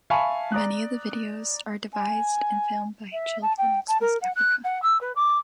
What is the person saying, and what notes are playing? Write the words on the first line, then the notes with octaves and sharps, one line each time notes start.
Many of the videos are devised and filmed by children across Africa.
E5 F5 G#5 A5 B5 C#6
D5 A#5 D#6 F#6
G#5
E5
A5
G5
A5
A#4
F#5
F#6
F#5
E6
B4
D6